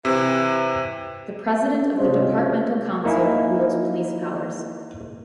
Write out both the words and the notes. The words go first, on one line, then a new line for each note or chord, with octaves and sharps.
The President of the Departmental Council wields police powers.
C3 E3
C3 G#3 C#4 F4 C5
A#3 D#4 E4 E5 G#5